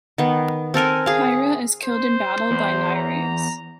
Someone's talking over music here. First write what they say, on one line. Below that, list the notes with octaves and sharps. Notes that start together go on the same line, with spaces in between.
Hiera is killed in battle by Nireus.
D#3 B3
C4 A4 A#4 G#5
G#4 F5
C5
E2
A#5